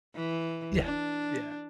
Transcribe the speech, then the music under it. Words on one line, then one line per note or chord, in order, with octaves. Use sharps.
Yeah, yeah,
E3
D4